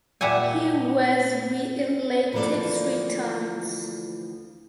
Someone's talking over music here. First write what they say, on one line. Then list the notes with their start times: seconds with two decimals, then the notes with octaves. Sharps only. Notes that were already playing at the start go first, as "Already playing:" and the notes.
He was reelected three times.
0.21 A#2 G3 E5 F#5 G#5
2.33 D2 E3 F3 A#3 A4 D5